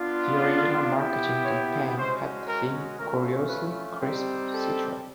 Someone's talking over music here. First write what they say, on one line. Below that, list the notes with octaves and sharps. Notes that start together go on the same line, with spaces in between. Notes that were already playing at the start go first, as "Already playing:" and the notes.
The original marketing campaign had the theme "Curiously crisp Citra".
Already playing: B3 D4 F4
D5
B3 E4 G4
C#5
G#3 C#4 F#4 C5
A#4
A3 C#4 F4 A#4
B4
G3 C4 D#4 G4
A4